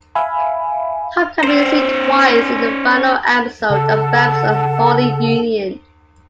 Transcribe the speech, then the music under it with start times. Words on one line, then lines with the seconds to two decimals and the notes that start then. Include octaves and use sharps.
Pop can be seen twice in the final episode of "Bam's Unholy Union".
0.15 E5 F5 G#5 B5
1.44 C#4 C5
3.70 C#3 A4 F#5 A5